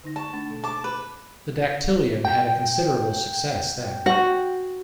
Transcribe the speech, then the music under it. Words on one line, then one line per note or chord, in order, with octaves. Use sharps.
The dactylion had a considerable success then.
D3 D#4 A#6
D5 A5 C#6
A3 D4 A6
B2
A5 D6
B4
G5
F#4 F#5